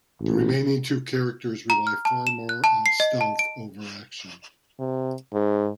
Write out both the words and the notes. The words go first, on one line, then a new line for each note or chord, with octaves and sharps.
The remaining two characters rely far more on stealth over action.
A1
A#5
F6
A5
E7
F#6
A5
C7
D#5
A5
D7
C3
G#2